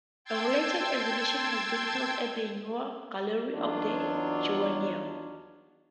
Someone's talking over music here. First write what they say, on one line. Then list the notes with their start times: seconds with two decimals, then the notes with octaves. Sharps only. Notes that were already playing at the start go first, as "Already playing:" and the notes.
A related exhibition has been held at the Neue Galerie of the Joanneum.
0.25 G5 A5 C6 E6 G#6
3.54 E2 F#3 D4 D#4 F4 C#5